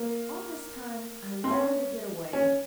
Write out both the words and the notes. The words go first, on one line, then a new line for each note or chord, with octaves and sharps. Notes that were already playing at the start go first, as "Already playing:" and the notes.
All this time I longed to get away.
Already playing: A#3
C4
C#4
C#4